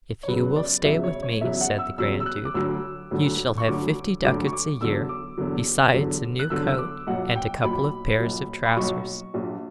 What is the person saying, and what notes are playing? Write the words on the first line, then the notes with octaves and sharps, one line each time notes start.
'If you will stay with me,' said the grand duke, 'you shall have fifty ducats a year, besides a new coat and a couple of pairs of trousers.
C#5
E2 C#3 F#3 B4
D5
E2 C#3 F#3 E5
C#5
C#5
E2 C#3 F#3 E5
F#5
E6
E2 C#3 F#3 E6
E6
F#6
D6
D2 D3 F#3 E6
D2 D3 F#3
C#6
D2 D3 F#3 D6
D2 D3 F#3 D6
C#6
D6
E2 D3 F#3 E6
D6
E2 D3 F#3
E2 D3 F#3
F#6
E2 D3 F#3 E6
E6
D6
B1 A#2 F#3 F#5
G5
B1 A#2 F#3 B5
B1 A#2 F#3
B5
B1 A#2 F#3 C#6
A#1 A#2 F#3